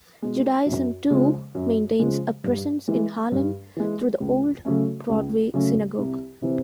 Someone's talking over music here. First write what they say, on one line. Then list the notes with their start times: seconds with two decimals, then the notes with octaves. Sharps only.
Judaism, too, maintains a presence in Harlem through the Old Broadway Synagogue.
0.22 B2 G#3
0.66 F#2
1.10 C#3 F3 G#3
1.55 F#2
2.00 C#3 F3 G#3
2.44 G2
2.88 E3 G#3
3.32 G2
3.76 E3 G#3
4.20 C#2
4.65 C#3 F#3 A3 C#4
5.09 C#2
5.54 C#3 F#3 A3 C#4
5.98 C2
6.42 C3 E3